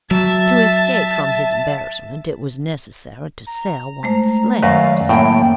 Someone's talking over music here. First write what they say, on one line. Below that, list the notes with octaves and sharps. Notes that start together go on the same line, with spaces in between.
To escape from his embarrassment it was necessary to sell one of the slaves.
F#3 E5 A5
A#5
G#3 A3 C5
F#2 D#3 B4 D5 F5 C#6 A#6
F#2 A2 A#3 G5